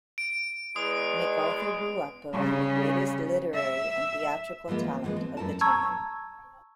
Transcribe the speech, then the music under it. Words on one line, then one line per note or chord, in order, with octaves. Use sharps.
MacArthur grew up around the greatest literary and theatrical talent of the time.
D7
E2 G#3 D#6
C#3 G3
E5
E3 F3 G#3 A#3 B3
A#3
E3 F3 G#3 A#3 B3
C4
F#2 A3 E4 A4 A#4 A5
A5 A#5 C#6 E6 G#6